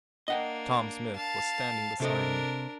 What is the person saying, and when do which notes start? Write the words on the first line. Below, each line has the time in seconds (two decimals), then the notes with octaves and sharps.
Tom Smith was standing beside him.
0.28 A#3 D4 D#5 F#5 G5
1.15 F5 A5
2.00 C3 D4 A4 A#4 D#5